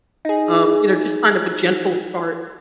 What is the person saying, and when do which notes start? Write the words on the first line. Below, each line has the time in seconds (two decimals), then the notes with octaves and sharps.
um, you know, just kind of a gentle start,
0.25 D#4 G#4